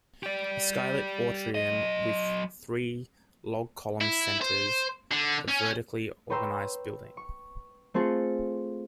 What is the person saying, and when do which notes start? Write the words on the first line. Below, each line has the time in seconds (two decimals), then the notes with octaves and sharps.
A skylit atrium with three log columns centers the vertically organized building.
0.23 G4 D5
1.55 F#3 D#5
4.01 E4
4.42 C5
5.12 D3
5.48 C#4
6.30 B4 C#5 G5 A#5 C6 E6
7.17 C#6
7.94 A3 C4 F4 G#4 A4